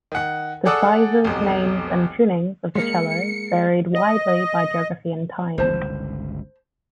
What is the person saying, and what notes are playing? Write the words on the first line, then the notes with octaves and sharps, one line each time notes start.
The sizes, names, and tunings of the cello varied widely by geography and time.
D#3 F#5
G#4 A4 D5 F#5 D#6 E6
F1 B1
G#3 A#3 C#7
D#5
G1 C#2 C5 A5